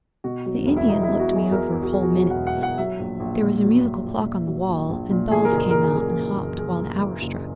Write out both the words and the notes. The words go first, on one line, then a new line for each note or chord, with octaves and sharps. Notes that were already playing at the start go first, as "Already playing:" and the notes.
'The Indian looked me over whole minutes--there was a musical clock on the wall and dolls came out and hopped while the hour struck.
B2 F#4
F#3
E1
E4
E2 D#4
E4
B2
F#4
F#3
G#4
E1 A#4
E2
F#4
B2 G#4
F#4
F#3 C#5
F#5
E1
F#5
E2
F#5
F#3 E5
A#1
A#1
A#2
F#3
A#1
A#1
A#2
F#3
A#1
A#1
A#2
E3 G#4
A#4
F#1
G#4
F#1 A#4
G#4
F#2 A#4
G#4
E3
F#1
F#1 G#4
F#2
E3
F#1